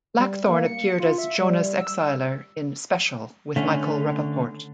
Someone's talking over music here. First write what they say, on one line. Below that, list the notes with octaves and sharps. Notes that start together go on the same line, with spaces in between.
Blackthorne appeared as Jonas Exiler in "Special", with Michael Rapaport.
G3
A#3
C#7
F4
E5
G3
E6
D3 A3 C#4